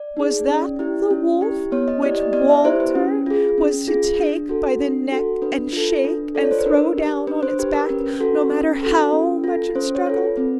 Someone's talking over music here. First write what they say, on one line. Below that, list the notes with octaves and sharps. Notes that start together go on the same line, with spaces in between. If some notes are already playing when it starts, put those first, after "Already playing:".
Was that the wolf which Walter was to take by the neck and shake and throw down on its back, no matter how much it struggled?
Already playing: D5
D#4 G#4
C#4
E4 G4
C#4
E4 G4
B3 C#5
D#5
E4 G4 D5
D#5
B3 D5
E5
E4 G4 C5
B4
C#4
F4 G#4
C#4
F4 G#4
D4
F#4 A4
D4
F#4 A4
D4 B4
F4 A4
D4
F4 A4 D5
C#5
C5
B4
D4 A#4
G4
D4 B4
C5
G4 B4
A#4
C#4 B4
F#4 A4
C#4
F#4 A4
C#4
F4 A4
C#4 C5
C#5
F4 A4
B4
C4 B4